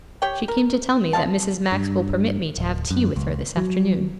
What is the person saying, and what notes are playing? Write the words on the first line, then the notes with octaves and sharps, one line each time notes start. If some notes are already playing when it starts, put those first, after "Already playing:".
She came to tell me that Mrs. Max will permit me to have tea with her this afternoon.'
G4 C#5 G5
A#4
G#3 G#4 F5 A5
G2
D1
F#2
C#2
F#3